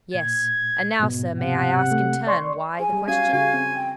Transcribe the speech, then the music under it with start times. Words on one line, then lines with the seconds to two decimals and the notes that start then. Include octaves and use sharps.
"Yes; and now, sir, may I ask in turn why the question?"
0.14 A#2 G#6
0.99 G#2 B2
1.40 C3 F#5
1.91 A3
2.27 D5 C6 C#6
2.80 G#4 G#5
2.92 G3
3.08 C#4 F#4 F5 G#5
3.33 C#3 F#4 G4 G#5
3.54 C4
3.75 G5